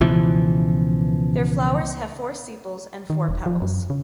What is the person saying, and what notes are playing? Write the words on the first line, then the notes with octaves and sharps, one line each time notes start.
Their flowers have four sepals and four petals.
C#2 B2 E3 F3
D#3
E1
F3
F#2
C#3